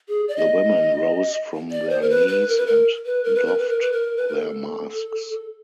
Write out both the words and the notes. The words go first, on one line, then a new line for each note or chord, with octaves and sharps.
The women rose from their knees and doffed their masks.
G#4
D5
D#5
D5
C5
A#4
B4
B4
A#4
B4
A#4
B4
A#4
B4
A#4
B4
A#4
B4
A#4
B4
A#4
A4